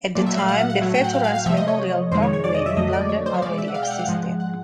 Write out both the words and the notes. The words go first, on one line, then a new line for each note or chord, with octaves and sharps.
At the time, the Veterans Memorial Parkway in London already existed.
A#2 F#3 A3 D5
E5
F5
F#5
F#5
F#5
A2 F#3 A3
G5
F#5
F5
F5
F5
C3 F3 A3 E5
D#5
C#5
F2 C3 D#3 G#3 C5
C#5
C#5
D5
D#5
E5
F2 D3 F#3 A3 D#5
D5
C#5
C5
C#5
B2 G#3 D5
E5
F#5
F5
G5
F5
F#5
F5
G#2 F3 G#3 F#5
F#5